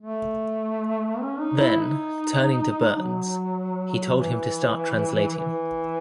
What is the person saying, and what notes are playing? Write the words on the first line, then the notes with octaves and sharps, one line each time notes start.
Then, turning to Burns, he told him to start translating.
A3
C#4
D#4
E4
D#4
F#3
E3
E3